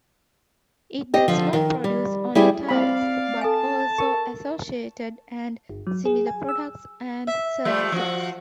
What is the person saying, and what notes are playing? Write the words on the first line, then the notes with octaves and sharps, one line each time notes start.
It does not produce only tires, but also associated and similar products and services.
G4 D#5
D3 F3
D#3
G3
G3 E4 G4 G#4
C4 D5 F5 B5
A4 G#5 A5
G4 A#4
G1
F#3
G#4
G#5
E6
E5
F3 G3 A3
F3 F#4